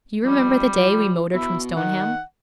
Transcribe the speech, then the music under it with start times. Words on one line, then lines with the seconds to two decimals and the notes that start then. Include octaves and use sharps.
'Do you remember the day we motored from Stoneham?
0.24 F2 G3
0.76 F3
1.34 B2 E4
1.76 D#3 F#5